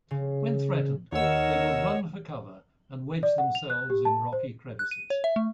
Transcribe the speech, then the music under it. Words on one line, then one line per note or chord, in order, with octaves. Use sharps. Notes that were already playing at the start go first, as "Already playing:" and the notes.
When threatened, they will run for cover and wedge themselves in rocky crevices.
C#3
D#2 A#4 C#5 D#5 F#5 E6
D5
F#5
F7
F#6
G4
A5
C5
F#6
D#7
C#5
E5
A3